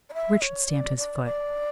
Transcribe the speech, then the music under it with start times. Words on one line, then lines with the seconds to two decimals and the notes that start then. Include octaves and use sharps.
Richard stamped his foot.
0.10 D5
0.14 E5
0.42 C#5
0.70 D5
0.97 D5
1.25 D5